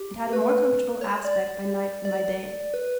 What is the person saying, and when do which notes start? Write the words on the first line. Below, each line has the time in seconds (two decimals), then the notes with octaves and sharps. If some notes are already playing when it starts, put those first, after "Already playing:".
It had a more comfortable aspect by night than by day.
Already playing: G4
0.33 B4
1.01 C#5
1.25 D5
2.05 D5
2.74 B4